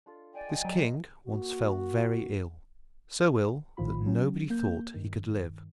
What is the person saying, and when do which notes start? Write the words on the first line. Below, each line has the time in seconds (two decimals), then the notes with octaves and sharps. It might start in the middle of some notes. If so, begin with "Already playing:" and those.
This king once fell very ill--so ill that nobody thought he could live.
0.06 D4 F4 A4
0.34 D5 D#5 G5 G#5
0.49 F3 F#5
0.65 F#3 A#5
1.27 A#3 F#4
3.77 A#1 A2 D#3 F3 F4 B5
4.06 F#3 C#4
4.50 A#3 G6
4.94 G2 D#3